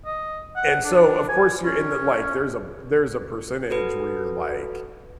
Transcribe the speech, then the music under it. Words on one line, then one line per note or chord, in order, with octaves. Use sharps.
and so, of course, you're in the like, there's a there's a percentage where you're like,
D#5
F#5
D4
G#5
C#4
F#4 A4 B4